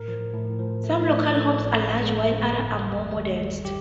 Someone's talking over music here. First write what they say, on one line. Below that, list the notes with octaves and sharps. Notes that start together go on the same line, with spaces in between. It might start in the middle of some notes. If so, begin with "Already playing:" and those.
Some local homes are large, while others are more modest.
Already playing: A2 A#4
F3
A2
F3
A3
A2
F3 A4
G1
G1
G1
G1
G2
D#2
D#3
G3
G4